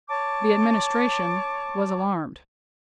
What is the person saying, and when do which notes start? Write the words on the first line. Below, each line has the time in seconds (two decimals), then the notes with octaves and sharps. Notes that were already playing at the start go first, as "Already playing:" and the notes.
The Administration was alarmed.
0.09 C#5 A5 C#6 D6